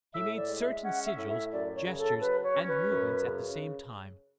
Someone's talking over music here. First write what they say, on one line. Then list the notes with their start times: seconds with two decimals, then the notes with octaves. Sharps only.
He made certain sigils, gestures and movements at the same time.
0.13 A2 E5
0.37 D5
0.48 G#3
0.59 E5
0.83 C#4 F#5
1.05 E5
1.18 A2
1.28 E5
1.51 F#2 D5
1.74 C#5
1.85 C#3
1.98 A4
2.21 F#3 B4
2.43 C#5
2.54 C#4
2.66 B4
2.89 F#2
3.23 C#3